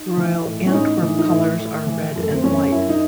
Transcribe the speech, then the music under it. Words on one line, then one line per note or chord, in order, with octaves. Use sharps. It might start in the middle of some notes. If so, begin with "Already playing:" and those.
Royal Antwerp colours are red and white.
Already playing: D#4
E3
A2
C#4
A2 D#4
E3 D#4
D#4
A2 E4
A2
E3
F#2
A3
C4
F#2 C#4
F#2 E4
D#4